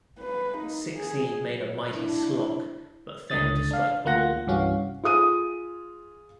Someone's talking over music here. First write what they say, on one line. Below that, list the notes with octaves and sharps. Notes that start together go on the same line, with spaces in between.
Sixey made a mighty slog, but failed to strike the ball.
B4
A#3 D#4
G#4
F#3
D4 E4
C#2 D3 D#6 A6
D4 F5
D2 A#3 F4 F#5 A#6
C2 G2 E3 C#4 F#4 F5
F4 G#4 D#6 D#7